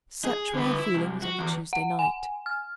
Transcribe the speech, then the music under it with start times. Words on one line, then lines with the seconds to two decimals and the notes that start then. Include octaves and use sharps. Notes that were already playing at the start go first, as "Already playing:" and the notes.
Such were her feelings on the Tuesday night.
0.25 G#4
0.54 D3 B4
0.79 E4
0.94 C2
1.22 F#4
1.39 E2
1.73 F#5
1.99 G#5
2.46 F6